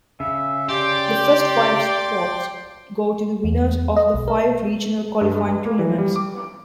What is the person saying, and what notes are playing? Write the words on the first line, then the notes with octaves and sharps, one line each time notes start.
The first five spots go to the winners of the five regional qualifying tournaments.
C#3 E5
G4 D5 G5 C6 D6
E2
D#5
B1
A#4
G2
A#3
E3
G3
D6